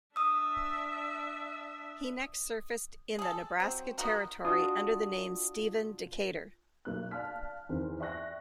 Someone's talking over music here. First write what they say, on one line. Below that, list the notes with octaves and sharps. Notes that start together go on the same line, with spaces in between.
He next surfaced in the Nebraska Territory under the name Stephen Decatur.
D4 E5 D#6 E6
G#4 A4
F#3 C4
B3 D#4 F#4 A#4
D4 F4 F#4 D#6
B1 A#3 F#6
D5 F5 A5 F6 B6
E2 D#3 C4
D5 E5 G5 C#6 F#6 A#6